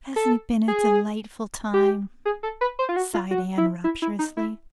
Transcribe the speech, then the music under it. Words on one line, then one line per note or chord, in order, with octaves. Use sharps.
"Hasn't it been a delightful time?" sighed Anne rapturously.
A4
G#4
G4
G#4
A4
B4
C5
F4
F#4
F4
F#4
E4
E4
E4
D#4
E4